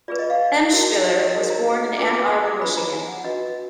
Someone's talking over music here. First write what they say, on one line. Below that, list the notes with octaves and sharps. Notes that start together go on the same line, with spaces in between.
Emshwiller was born in Ann Arbor, Michigan.
F4 G#4 B4 D5
D#5
F5
D#4 F#4 A#4
D#5
D#5
D#4 F#4 A#4 D#5
A#5
D4 F4 B4 D6
B5
D6
D#6
D6
D4 F4 B4 B5
A#5
G#5
F#5
D4 F#4 B4 D#5